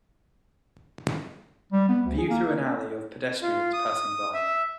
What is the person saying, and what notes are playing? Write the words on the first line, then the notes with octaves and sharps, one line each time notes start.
View through an alley of pedestrians passing by.
G3
B3
D2
G#4
A#3
F4
D#6
E5